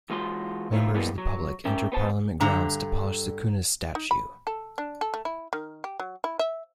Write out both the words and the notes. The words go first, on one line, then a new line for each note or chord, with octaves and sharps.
Members of the public enter Parliament grounds to polish Sukuna's statue.
E3 G#3 F4 F#4 C6
D#3 A3 E4 F4
B2 E3 G3 G#3 A#3 B3
F#3
C#4 A#4 E5 G5
B3 C5 A5
G2 D3 A#5
D#4
B5
A4
D4
A4
A3
E4
D#3
G4
F#3
E4
E5